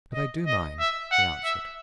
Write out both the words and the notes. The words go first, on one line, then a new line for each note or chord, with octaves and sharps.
"But I do mind," he answered.
D#5
D#5
E5
F#5
E5